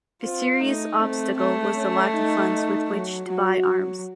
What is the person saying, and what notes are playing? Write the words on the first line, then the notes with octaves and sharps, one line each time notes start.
A serious obstacle was the lack of funds with which to buy arms.
C4 F4
A3 D#4
A3 C4
A3
C#4
D#4
F#3
F#3 F#4
F#3